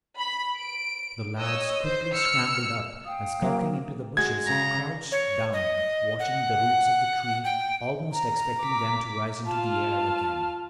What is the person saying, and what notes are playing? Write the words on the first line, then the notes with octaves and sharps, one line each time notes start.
The lads quickly scrambled up and, skulking into the bushes, crouched down, watching the roots of the tree, almost expecting them to rise into the air again.
B5
D7
C#5 D#5 E6
C5
E6 F6 C#7
F5 G5 D#6
F#3 A#3
G#3 F#4 G#4 G#6
C#3 A#5
C#5
D#5
F#5
G5
A#5
D6 B6
F4 F5 A5